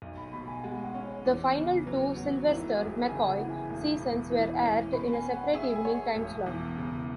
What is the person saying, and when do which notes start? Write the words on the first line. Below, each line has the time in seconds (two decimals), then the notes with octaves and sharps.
The final two Sylvester McCoy seasons were aired in a separate evening time slot.
0.02 B1
0.18 B5
0.33 B2 B5
0.48 G#5
0.63 G#3 F#5
0.84 F#5
0.94 C#4
1.04 C#5
1.25 E2
1.55 C#3
1.86 F#3 B4
2.16 E2 F#4
2.48 G#1 E4
2.68 F#4
2.78 F#2
2.88 G#4
3.09 C#3 G#5
3.29 F#5
3.40 E3
3.50 G#5
3.70 E1
4.01 E2
4.31 E3
4.62 C#4
4.92 B2 B5
5.13 G#5
5.23 B3
5.34 F#5
5.54 G#4 E5
5.76 G#5
5.84 C#5 F#5
6.16 E1
6.46 E2
6.77 C#3